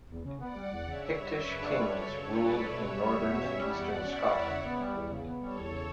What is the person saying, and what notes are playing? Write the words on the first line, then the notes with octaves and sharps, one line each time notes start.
Pictish kings ruled in northern and eastern Scotland.
E2
C#3
B3 D5 F#5
G3
E2
C#3 C#5 E5
D4
G3
F#2 B4 D5
C#3
D4
G3 A4 C#5
F#2
C#3
D4 B4 D5
G3
F#2
B2 C#5 E5
C#4
G3
E2 C#5 E5
B2
C#4
G3 D5 F#5
E2
B2
C#4 C#5 E5
G3
E2
C#3
B3
G3
E2
C#3
B3
G3 A4 C#5
E2
C#3